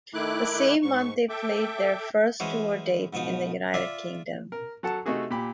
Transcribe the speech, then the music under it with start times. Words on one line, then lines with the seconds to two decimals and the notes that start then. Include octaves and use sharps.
The same month they played their first tour dates in the United Kingdom.
0.14 D#3 A3 E4 D6 F#6
0.83 G#2 C#6
1.29 A4 E5 G5 D6
2.40 E3 G#3 C#4 F#4 C5
3.13 G#2 B2 F3 D#4
3.74 F4 D5 E5 D6
4.52 A#4
4.83 F#3 A4 F#5 A5
5.06 C3 A3 D#4 F#4 G#4
5.30 A#2 G4 B5